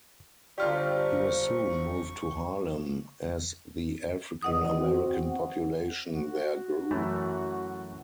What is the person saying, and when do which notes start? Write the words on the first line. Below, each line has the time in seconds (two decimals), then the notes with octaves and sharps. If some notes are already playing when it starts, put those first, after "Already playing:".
He was soon moved to Harlem, as the African-American population there grew.
0.58 G1 G3 F4 G4 C5 D5 C#6 F6
4.42 E2 D#5 F#5 D#6
4.76 C4 F#4
6.15 F#4
6.91 F#2 E3 A3